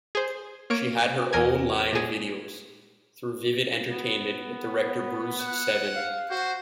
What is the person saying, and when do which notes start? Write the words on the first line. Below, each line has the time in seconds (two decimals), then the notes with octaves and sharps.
She had her own line of videos through Vivid Entertainment with director Bruce Seven.
0.15 G#4 C5
0.70 A#3 C#5 D7
1.33 E2 A#4 G#5 G#6
1.93 A#2 G#4
3.92 B3
5.41 F#5
5.96 F5
6.30 F#4 C5